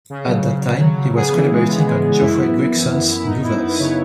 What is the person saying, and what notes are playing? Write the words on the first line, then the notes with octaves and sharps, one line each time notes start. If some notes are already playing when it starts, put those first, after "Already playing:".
At that time he was collaborating on Geoffrey Grigson's "New Verse".
C#3
F#3
C#3
C#3
F#3
C#3
B3 G#4
E3
G#3
B3
G#3
B3
F#2 E4
B3
F#2
E3
F#2
F#2
E4
B3 D#4
B3 E4
B3
B4
C#3 C#5